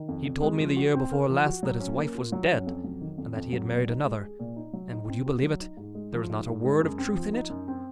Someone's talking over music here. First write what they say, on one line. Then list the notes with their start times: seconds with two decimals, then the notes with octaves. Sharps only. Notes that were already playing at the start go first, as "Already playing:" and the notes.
He told me the year before last that his wife was dead and that he had married another, and would you believe it, there was not a word of truth in it?
Already playing: D#3
0.09 F2
0.25 F2
0.42 G#3
0.60 F3
0.77 F#4
0.95 C4
1.11 A#4
1.29 F3
1.46 F#4
1.63 F#3
1.80 C#4
1.97 A#3
2.15 F4
2.32 F#3
2.50 C#4
2.67 F2
2.84 F#3
3.01 D#3
3.18 F2
3.36 F2
3.53 F#3
3.70 A#2
3.88 D#4
4.05 G#3
4.22 G#4
4.39 A#2
4.56 D#4
4.73 F#3
4.91 D#4
5.08 C4
5.26 F#4
5.43 F#3
5.61 D#4
5.77 G#2
5.95 G#3
6.13 F3
6.30 G#2
6.47 G#2
6.64 G#3
6.81 F#2
6.98 C4
7.15 F3
7.33 D#4
7.50 F#2
7.68 C4